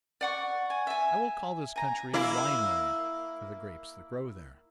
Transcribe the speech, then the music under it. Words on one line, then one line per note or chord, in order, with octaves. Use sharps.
"I will call this country Wineland for the grapes that grow there."
D5 F#5 C#6
G#5
E5 G#5
G#5 A#5
A#3 E4